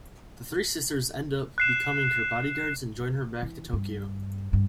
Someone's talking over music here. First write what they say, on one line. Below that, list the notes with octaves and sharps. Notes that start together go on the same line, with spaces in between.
The three sisters end up becoming her bodyguards and join her back to Tokyo.
F#6 C7 E7
E3
G2
G2